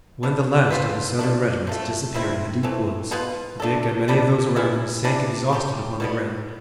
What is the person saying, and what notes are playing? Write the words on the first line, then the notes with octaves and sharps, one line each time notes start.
When the last of the Southern regiments disappeared in the deep woods, Dick and many of those around him sank exhausted upon the ground.
G3 B3 D4
F3 C4 F4 B4
B2 A3 D4
C3 F3 A3
G3 C4 E4
E3 A3 C4
B2 B3 F4 B4
A3 D4 A4
B2 G3 B3 D4
E3 B3 E4
E3 G3 D4
A3 C4 G4
B2 G3 B3